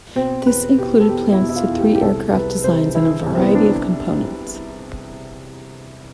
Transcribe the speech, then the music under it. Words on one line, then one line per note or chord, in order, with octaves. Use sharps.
This included plans to three aircraft designs and a variety of components.
B2 C4
E2 B4
B2 G4
A4
E2 G4
E4
B2
E4
F4
E2
G4
G4
C2 A4
C2 B4
C3 C5
E3 E4
C2
C4
B3
D4